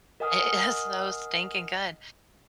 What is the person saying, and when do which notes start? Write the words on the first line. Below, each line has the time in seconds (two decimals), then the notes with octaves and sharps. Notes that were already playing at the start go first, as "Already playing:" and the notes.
It is so stinking good.
0.20 A#4 D#5 F#5 G#5 D#6 F6